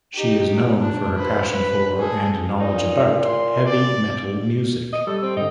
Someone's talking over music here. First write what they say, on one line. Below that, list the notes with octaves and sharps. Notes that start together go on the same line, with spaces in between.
She is known for her passion for and knowledge about heavy metal music.
D#4 G4
D4
B4 C5
B4
G#4 A4
A#2 D#4
C6
D5
D#5
G3 A4
C4
G#2 D3 D#4